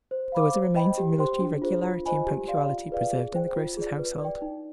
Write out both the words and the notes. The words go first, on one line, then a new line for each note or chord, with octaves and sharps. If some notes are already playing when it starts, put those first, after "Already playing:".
There was a remains of military regularity and punctuality preserved in the grocer's household.
C5
F5 B5 D6
C5
D#5 G5 B5
G4
C5 G5 C6
D4
F4 G#4 C5
F4
C5 D#5 G#5 B5
G4
D5 F5 C6
F4
G#4 B4 D5 F5
G#4
C5 G5
F4
G#4 D5
B4
D5 G5
D#4